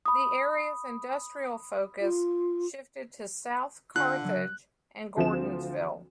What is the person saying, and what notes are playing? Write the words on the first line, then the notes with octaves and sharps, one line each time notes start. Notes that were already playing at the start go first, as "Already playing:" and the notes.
The area's industrial focus shifted to South Carthage and Gordonsville.
B5 D#6
F4
D3 F4 F5 F#6
C#3 F#3
D2 F3 C4 E7